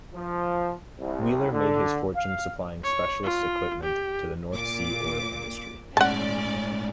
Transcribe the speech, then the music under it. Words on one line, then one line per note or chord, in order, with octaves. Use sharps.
Wheeler made his fortune supplying specialist equipment to the North Sea oil industry.
F3
C2
D3
F5
C#5
F4
G4
A#2 D6
A2 G#3 C#4 D5 F#5 A5